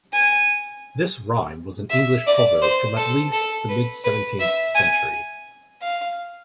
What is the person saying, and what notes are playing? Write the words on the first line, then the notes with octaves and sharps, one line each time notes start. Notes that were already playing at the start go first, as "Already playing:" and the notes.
This rhyme was an English proverb from at least the mid-seventeenth century.
G#5
E5
D5
C5
A4
A4
B4
B4
E5
G#5
F5